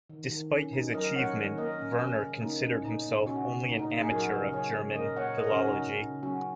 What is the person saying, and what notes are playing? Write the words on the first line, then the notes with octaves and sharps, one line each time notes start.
Despite his achievement, Verner considered himself only an amateur of German philology.
D#3
D#3
C#4
C#4 D#4
F#3 A#4 D#5
C#4 C#5 F#5
D#3
A#3 A#4 D#5
C#4
C#4
C#3
A#3 D#4
C#4
A#2 D#4
A#2
C#3 C#4 F#4
C#3
A#2 D#4
D#4
A#2 D#4
D#4 G#4
F#3 F#4 A#4
C#3
C#3 G#4 C#5
C#3
A#2 A#4 D#5
A#2 C#5 F#5
C#3 A#4 D#5
C#4 F#4
C#3
D#4
C#4
C#3
F#3 C#4 F#4